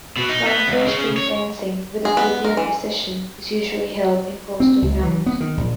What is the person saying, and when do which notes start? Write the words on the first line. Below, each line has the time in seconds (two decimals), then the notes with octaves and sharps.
"Karakol" street dancing with a fluvial procession is usually held in coastal towns.
0.17 B2
0.29 D#4
0.46 B3
0.68 C#2
0.86 C#3
1.17 C#5
2.05 G#4
2.17 B3
2.44 A#4
2.57 E3
4.60 C4
4.82 C#2
5.03 E3
5.26 B3
5.40 D#3
5.57 A#1